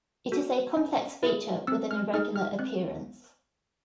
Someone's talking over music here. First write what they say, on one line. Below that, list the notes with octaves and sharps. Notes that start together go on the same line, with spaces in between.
It is a complex feature with an irregular appearance.
F#4 A4
C#4
E4 G#4
C4 E6
F6
D#4 G#4 F6
F6
C4 F#6